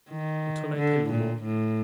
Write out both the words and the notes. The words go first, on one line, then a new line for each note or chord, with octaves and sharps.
What shall I tell you more?
D#3
D3
A#2
A2